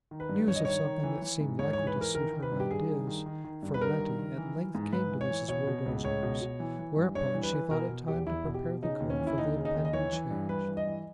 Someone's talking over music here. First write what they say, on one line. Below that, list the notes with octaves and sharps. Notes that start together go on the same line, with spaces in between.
News of something that seemed likely to suit her ideas for Letty at length came to Mrs. Wardour's ears, whereupon she thought it time to prepare the girl for the impending change.
D#3
B4
G2
G2 C#5
D#5
D#3 C#5
D#3
E3
E3
G#2
G#2 C#5
E3 C#5
B4
E3 A#4
D#3 A#4
D#3
B4
G2
G4
G2 G#4
D#3
D#3
D#3
D#3
G2
B4
G2 A#4
D#3
D#3
E3
E3
G#2
G#2 B4
E3
C#5
E3
B2 C#5
B2
C#2
C#2 C#5
B2
B2
E3
E3
G2
G2 C#5
E3
B4
E3
B2 A#4
B2
E2 G4
E2 E4
B2
G4
B2
C#3 D#4
D#2
C#4
E3
E4
D#2 D#4
C#3
D#4
D#2
D#5
E3 C#5
E3
G2
G2 B4
E3
D#5
E3